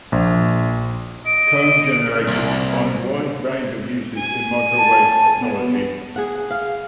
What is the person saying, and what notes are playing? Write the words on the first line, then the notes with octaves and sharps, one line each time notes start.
Comb generators find wide range of uses in microwave technology.
A#1
D#5 D7
C2
G#5
A5
B3
G#4 F#5
F5